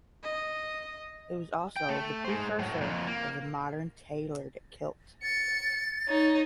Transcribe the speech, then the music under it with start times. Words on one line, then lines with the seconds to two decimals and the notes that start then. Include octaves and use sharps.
It was also the precursor of the modern tailored kilt.
0.23 D#5
1.76 G5
1.89 A3
2.25 G#3 C5
2.59 A2 F#3
2.81 F2 A#2
3.07 A#3
5.23 A6 C#7
6.08 D#4 C#5